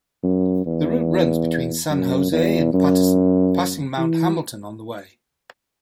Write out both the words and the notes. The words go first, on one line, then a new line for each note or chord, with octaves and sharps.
The route runs between San Jose and Patterson, passing Mount Hamilton on the way.
F#2
E2
F#2
E2
F#2
E3